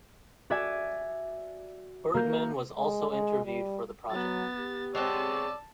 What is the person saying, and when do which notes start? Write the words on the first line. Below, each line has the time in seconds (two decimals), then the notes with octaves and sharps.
Bergman was also interviewed for the project.
0.50 F#4 D5 E5 G#5
2.14 A#3 A#4 G6
2.78 G#3
3.10 G#3
3.45 G3
4.11 F#3 B3 A6
4.58 G4
4.95 G#3 B3 C4 C#5 D5 A5 E6